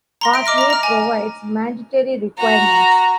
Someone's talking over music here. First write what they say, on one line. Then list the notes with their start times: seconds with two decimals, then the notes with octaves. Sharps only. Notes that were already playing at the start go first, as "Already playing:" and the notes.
Part A provides mandatory requirements.
0.21 A#5 C6 A#6
0.34 E5 D7
0.46 D#5 D6 F6 A#6
0.58 A#5 A#6
0.70 A#5 F6
0.83 G#5
2.38 F#4 A#5